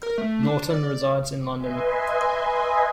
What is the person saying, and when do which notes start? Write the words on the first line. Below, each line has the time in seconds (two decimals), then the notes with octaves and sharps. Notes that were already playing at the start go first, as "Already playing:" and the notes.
Norton resides in London.
0.03 A#4
0.18 A3
0.43 D4
0.70 D5
1.56 B4 D#5 E5 G#5 C6